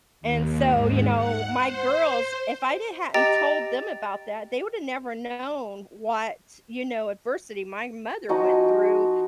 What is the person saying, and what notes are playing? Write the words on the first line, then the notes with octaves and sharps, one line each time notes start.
and so, you know, my girls, if I didn't hadn't told them about that, they woulda never known what, you know, adversity my mother went through
D#2
G#2
F#5
C5
G4 D#5 G5 A#5 A6
F3 D#4 F#4 G#5